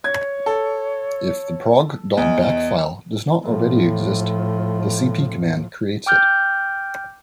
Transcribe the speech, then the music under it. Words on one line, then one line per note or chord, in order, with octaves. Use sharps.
If the prog.bak file does not already exist, the cp command creates it.
C#5 G#6
A4
E2 D#5
A2 F3
G5 D6 F6 G6